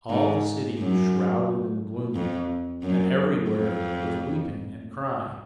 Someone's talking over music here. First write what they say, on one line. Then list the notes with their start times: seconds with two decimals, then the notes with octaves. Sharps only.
All the city was shrouded in gloom, and everywhere was weeping and crying.
0.10 G#2
0.79 F#2
2.15 F2
2.83 F#2
3.51 F2